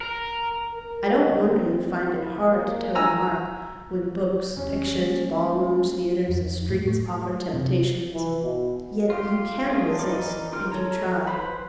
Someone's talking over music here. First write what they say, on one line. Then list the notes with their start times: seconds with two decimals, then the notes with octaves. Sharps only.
I don't wonder you find it "hard to toe the mark", when books, pictures, ball-rooms, theatres, and streets offer temptations; yet you can resist, if you try.
0.01 A#4
0.73 A#4
1.15 D#3
1.51 C4
2.16 E4
2.49 A#3
2.95 G#5 A#5 E6
4.57 D#2 C#4
4.96 G3 G#3 A#3
6.29 F2
6.69 A2
6.87 A3
7.53 C3
8.14 E3
8.43 B2
9.10 F4 G4
9.68 A3 D4 F4 G#4
9.99 E3 D#4 A#4 D5 D6
10.52 D#3 F4 G4 F6
10.72 A4 C#5 A#5
11.27 B4 C5 B5